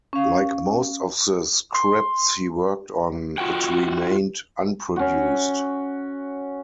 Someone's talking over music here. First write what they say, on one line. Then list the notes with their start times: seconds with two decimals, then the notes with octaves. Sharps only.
Like most of the scripts he worked on, it remained unproduced.
0.13 C#4 F5
1.74 C6
3.38 F4 F#4 F#5 G5
4.96 C#4 F#4